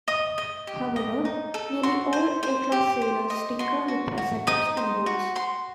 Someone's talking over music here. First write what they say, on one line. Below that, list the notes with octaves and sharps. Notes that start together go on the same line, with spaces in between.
However, nearly all A-Class sailors tinker with their setups and boats.
D#5 D#6
D#5
G4
D#5
D#4
A4
F#4 C6
C5
C5
G4
C5
D#5
F#4 C6
F#4
F#4
D#4 D#6
C5
F#4
F#4 C6